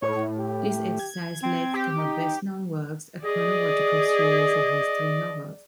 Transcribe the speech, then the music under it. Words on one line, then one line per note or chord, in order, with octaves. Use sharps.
This exercise led to her best-known works, a chronological series of mystery novels.
A2 C#5
G4
G#6
C4
G4
D#4
G#4 D5 D#5